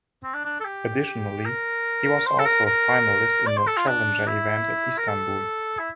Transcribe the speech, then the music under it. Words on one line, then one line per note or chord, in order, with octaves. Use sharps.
Additionally, he was also a finalist in a challenger event at Istanbul.
C4
D4
D4
A4
G4
A#4
C5
A4
A#4
A#4
D5
C5
A4
F4
D4
E4
A#4
A4
E4